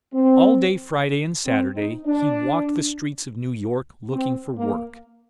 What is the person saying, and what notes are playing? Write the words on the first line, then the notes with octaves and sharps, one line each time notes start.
All day Friday and Saturday he walked the streets of New York, looking for work.
C4
C4
D#4
D4
C4
A#3